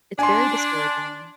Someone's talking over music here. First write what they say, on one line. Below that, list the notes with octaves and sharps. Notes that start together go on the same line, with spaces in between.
It's very discouraging.
D4 G#5 C6